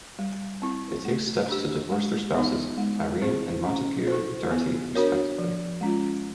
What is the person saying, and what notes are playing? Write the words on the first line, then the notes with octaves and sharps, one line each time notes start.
They take steps to divorce their spouses, Irene and Montague Dartie respectively.
G3
C4 E4
A3
D4 G4
G#3
B3 D#4
G#3
C4 E4 G#4 C5
C#4
E4 A4 C5
B3
D4 F#4 A#4 C#5
F3
G#3 C#4 F4